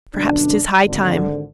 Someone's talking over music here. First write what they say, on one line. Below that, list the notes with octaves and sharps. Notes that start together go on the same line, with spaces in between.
Perhaps 'tis high time.
G1 F#2 B2 D3 D4
G#1 D3